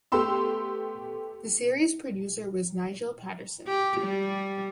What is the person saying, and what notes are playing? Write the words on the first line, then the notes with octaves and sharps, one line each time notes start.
The series producer was Nigel Paterson.
A3 B3 G4 C6 E6
G4
G3